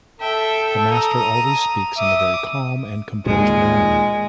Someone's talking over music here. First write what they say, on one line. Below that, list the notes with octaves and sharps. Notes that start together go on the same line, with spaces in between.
The master always speaks in a very calm and composed manner.
A4 E5 G5
A#5 D#6
E5 D6 D#6
D#2 A#2 G#3